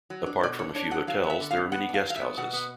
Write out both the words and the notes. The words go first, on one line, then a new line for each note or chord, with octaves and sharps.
Apart from a few hotels, there are many guest houses.
F#3
D4
B2 D5
D4 C#5
D4 C#5
F#3 F#5
F#3 F5
B3
E5
D3
F5
B3
B3 F#5
D4
F5
F#3
F5
E5
B3
B2 F#5
B3